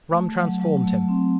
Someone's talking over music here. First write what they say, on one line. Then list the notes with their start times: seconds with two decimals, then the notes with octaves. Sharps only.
Rum transformed him.
0.11 A3
0.35 F#3
0.60 F#3
0.84 A3
1.08 C4